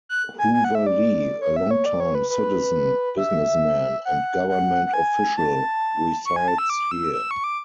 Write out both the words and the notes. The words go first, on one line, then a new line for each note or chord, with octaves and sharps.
Hoover Lee, a long-time citizen, businessman, and government official, resides here.
F#6
G#5
G#5
F#5
E5
D5
C#5
E5
C#5
D5
C#5
B4
B4
E5
F#5
F#5
F#5
G#5
A5
C#6
G#5
A5
E6
D6
E6
E6
C#6
D6